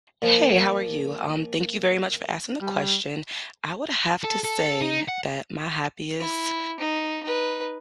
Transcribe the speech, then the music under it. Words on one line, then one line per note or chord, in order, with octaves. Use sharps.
Hey, how are you? Um, thank you very much for asking the question. I would have to say that my happiest
A#2 F3
G3
A4
A4
D#4
F#5
E4
D#4
D#4 B4